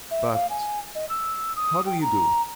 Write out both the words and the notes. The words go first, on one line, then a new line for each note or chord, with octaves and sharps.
But how do you do?
E5
F5
G#5
D#5
E6
D#6
G5
A#5